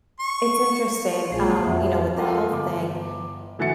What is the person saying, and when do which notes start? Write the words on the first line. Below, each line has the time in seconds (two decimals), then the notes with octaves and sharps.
it's interesting, um, you know, with the health thing,
0.20 C#6
1.32 A#1 G#3 A#3 F4 G#4 C7
1.63 F2 F#4 E5 F#5
2.17 F4 A4 A#4 F#5 G5 D6
2.51 G1 D6
3.59 D3 E3 F#4 G#5 A6 C#7